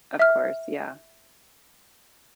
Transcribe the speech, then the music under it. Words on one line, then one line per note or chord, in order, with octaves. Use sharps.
Of course, yeah.
E5 F6